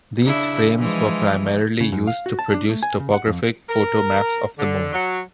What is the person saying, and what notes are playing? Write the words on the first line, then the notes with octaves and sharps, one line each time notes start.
These frames were primarily used to produce topographic photo maps of the moon.
C#3 D4 E4
E3 F3 G#3
C#3
F#2
F5
F#4
A5
D4
A3
G#5
C#3
F#5
F2
A#4
D3
F#3